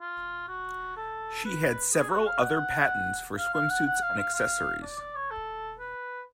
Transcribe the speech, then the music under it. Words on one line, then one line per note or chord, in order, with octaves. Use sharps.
She had several other patents for swimsuits and accessories.
F4
F#4
A4
B4
G#4
F#4
F5
F#5
F5
F5
F#5
F#5
F5
F5
F5
D5
D5
C#5
A4
B4